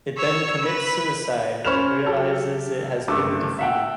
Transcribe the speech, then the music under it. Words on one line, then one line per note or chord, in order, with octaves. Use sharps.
It then commits suicide when it realizes it has been defeated.
C#5 E6
B4
C#4 C5 B5 F6 E7 F7
F#3 G4 A4
F#1 G2 A3 D6 E6
E5 F#5 G5